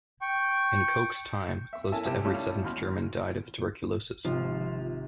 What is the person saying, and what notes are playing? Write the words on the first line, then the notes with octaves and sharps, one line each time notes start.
In Koch's time, close to every seventh German died of tuberculosis.
G5 C#6
E5
C#4 E4 A4 A#4 G#5 A5
C2 G4 A5 E6
G3 A3 C#4 E4 F4
D#2 F#4 B5 C6 F6
G#1 C3 F3